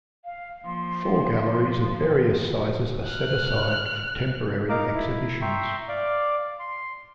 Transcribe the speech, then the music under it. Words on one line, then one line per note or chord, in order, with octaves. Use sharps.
Four galleries of various sizes are set aside for temporary exhibitions.
F5
F3 A#3 C6
F6 F#6
D#4 A#4 F5 A#5 D6
E4
E5 G5 A#5 C6 C#6
D5 F5 D6
C6